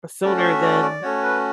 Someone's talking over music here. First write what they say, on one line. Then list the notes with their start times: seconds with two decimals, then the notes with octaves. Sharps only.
sooner than
0.23 A3 C#4 F#4 D5
0.38 D5
0.43 E5
0.63 D5
0.82 D5
1.02 A3 C#4 F#4 C#5
1.23 B4